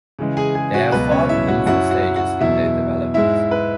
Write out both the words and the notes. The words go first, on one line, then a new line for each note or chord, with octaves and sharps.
They have five nymphal stages in their development.
C#3 E3 G#3
G#4 G#5
G#4 G#5
F#4 F#5
C#2 B2 F#3 B4
C#4 C#5
E4 E5
F#4 F#5
F#2 F#3 C#4 E4 F#4 F#5
F#4 F#5
F#4 F#5
E2 B2 F#3 E4 E5
G#2 G#3 E4 E5
B4